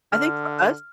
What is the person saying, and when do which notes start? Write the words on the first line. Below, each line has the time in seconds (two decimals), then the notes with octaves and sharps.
I think for us
0.12 D3 F6